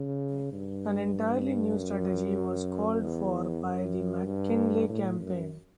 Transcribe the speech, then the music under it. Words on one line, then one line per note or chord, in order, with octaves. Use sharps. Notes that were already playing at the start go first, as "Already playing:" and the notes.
An entirely new strategy was called for by the McKinley campaign.
Already playing: C#3
G2
F#2
E2
F#2
G2
A2
F#2